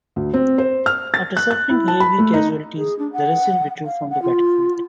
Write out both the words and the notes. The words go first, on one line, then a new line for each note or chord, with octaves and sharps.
After suffering heavy casualties, the Russians withdrew from the battlefield.
D2
C4
C5
F6
A6
F#6
F#6
E4
A5
B5
A3
D#4
G#4
D4
F#5
F5
F#5
F4